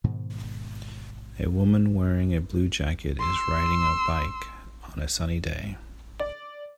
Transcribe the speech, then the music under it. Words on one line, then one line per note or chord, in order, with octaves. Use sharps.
A woman wearing a blue jacket is riding a bike on a sunny day.
G#2 B2 D#3 G#3
C6 E6
D5